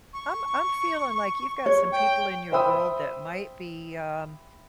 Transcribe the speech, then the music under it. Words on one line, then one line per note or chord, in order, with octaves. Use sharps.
I'm I'm feeling like you've got some people in your world that might be, um,
C#6
C#5
G5
C5 E5 G5 B5 D#6 E6